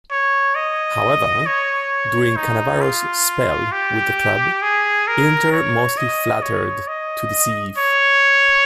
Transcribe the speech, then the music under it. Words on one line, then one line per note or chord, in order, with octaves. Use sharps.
However, during Cannavaro's spell with the club, Inter mostly flattered to deceive.
C#5
D#5
C#5
D#4
F4
G4
G#4
A#4
C#5
D#5
C#5
D#5
C#5